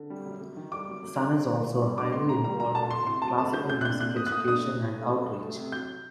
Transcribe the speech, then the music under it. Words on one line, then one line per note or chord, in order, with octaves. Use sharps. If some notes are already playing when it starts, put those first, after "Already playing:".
Sun is also highly involved in classical music education and outreach.
Already playing: D3
G3
F#2
F#2
D#3
G3 D6
F#2
F#2
D#3
D4
A2
A2
G3
D4 D6
A2 C6
A2 A#5
G3 A#5
F#3 A#5
D2 A5
D2 C6
C3 C6
F#3 A5
D2 A5
D2 G6
C3 G6
F#6
D4 G6
A#2 F#6
A#2 D#6
F#6
A3 D#6
D4 D#6
A#2
A#2
A3
F#3
D2
A3
C3
F#3 G6